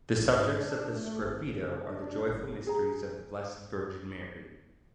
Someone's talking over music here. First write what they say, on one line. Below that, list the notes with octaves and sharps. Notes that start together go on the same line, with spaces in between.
The subjects of the sgraffito are the Joyful Mysteries of the Blessed Virgin Mary.
A#1
G#2
D4
A3
G#1
C#3
D4
G1
G#4 A#5